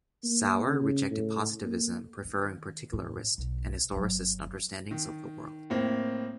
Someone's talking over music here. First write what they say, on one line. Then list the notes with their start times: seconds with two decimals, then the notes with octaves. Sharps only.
Sauer rejected positivism, preferring particularist and historicist understandings of the world.
0.24 A#3
0.67 C#3
1.11 A2
1.65 A#3
2.25 D#3
2.93 A2
3.38 B1
3.92 G1 F#3
4.91 D#3
5.70 A2 A#3 C4